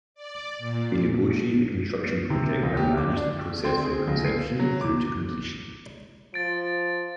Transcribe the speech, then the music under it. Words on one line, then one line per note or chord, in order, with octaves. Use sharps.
They negotiate the construction project and manage the process from conception through to completion.
D5
A#2
C3
C#2
G4
D6
D4
C4
G#4
C#2
C7
F#3
D6
F3 A6 D7